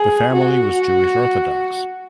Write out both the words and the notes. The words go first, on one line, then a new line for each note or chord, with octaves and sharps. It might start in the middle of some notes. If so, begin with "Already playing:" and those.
The family was Jewish Orthodox.
Already playing: G#4
F#4